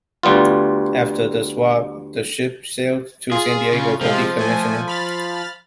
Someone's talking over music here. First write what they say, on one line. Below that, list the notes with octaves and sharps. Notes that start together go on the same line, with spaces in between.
After the swap, the ship sailed to San Diego for decommissioning.
D2 G3 B3 F4
F4 G#4
C#3
C3 F3 G#3 F4
A3 G#5
B5 F6 A6